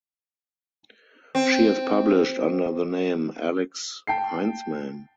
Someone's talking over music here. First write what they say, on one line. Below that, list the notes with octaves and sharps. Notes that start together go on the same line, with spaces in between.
She has published under the name Alix Heintzman.
C4
G5 A5 C7